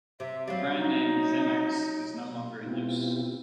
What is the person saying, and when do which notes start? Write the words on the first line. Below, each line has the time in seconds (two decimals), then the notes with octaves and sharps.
The brand name "Zemmix" is no longer in use.
0.20 C3 E5
0.48 F#3 G3 F5
0.76 D#4
2.66 B2 B3 C4 E4 F4 G4